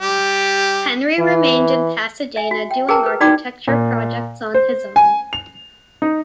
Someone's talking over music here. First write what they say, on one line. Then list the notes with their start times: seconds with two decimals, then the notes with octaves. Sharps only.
Henry remained in Pasadena, doing architecture projects on his own.
0.01 G3 G4
1.19 E3
2.36 E5 G#5
2.51 F#4
2.71 G5
2.89 G#4 A#4 B4 G5 A5 A#5
3.06 B4
3.20 D#4 E4 F#4 D5 G5 D6
3.68 A#2
4.54 C5
4.96 G#5
5.33 F7
6.02 D#4